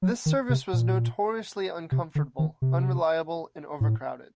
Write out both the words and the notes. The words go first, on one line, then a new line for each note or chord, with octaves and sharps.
This service was notoriously uncomfortable, unreliable and overcrowded.
F#3
D#3
C3
A#2
C3
D3
D#3
C3
A2